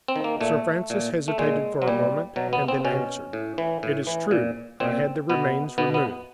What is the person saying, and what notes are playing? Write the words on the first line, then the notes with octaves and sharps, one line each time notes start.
Sir Francis hesitated for a moment, and then answered: "It is true, I had the remains removed."
C4
D#3
A#3
A#2 A3
A#2
A3
A#2 G#3
F#3
A#2 G3
B2 F#3
B3
C4
B2 C#4
A2
E3
A2
E3
A#2
A#2 C4
B2 B3
B2 B3
B3